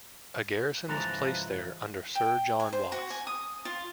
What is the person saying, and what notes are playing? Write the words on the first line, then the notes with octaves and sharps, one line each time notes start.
A garrison was placed there under Sir John Watts.
G#2 C#3 E3 F3 A4 A#5 F#6
G5
G#5
C5
F#4
G#5
D#6
F4